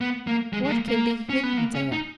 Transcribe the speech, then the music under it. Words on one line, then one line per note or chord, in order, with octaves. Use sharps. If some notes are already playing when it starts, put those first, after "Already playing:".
What can be hidden there?
B3
A#3
G#3
G#3
A#3
A#3
C#4
B3
A#3
C#4
D#4